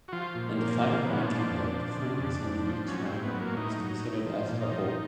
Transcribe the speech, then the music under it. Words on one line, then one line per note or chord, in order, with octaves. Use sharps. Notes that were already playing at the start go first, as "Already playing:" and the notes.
In the final ranking, the performance in each round is considered as a whole.
F#4
F3 F4
A#2
F3 A#3
A#2 A#3
F3 B3
C#4
A#2 D4
F2
F3
C#3
F2
F2
F3
F#3 C#4
C4
A2
B3
F#3
A#3
A2 D#4
F#3
A2
F3
A#2
D#4
F3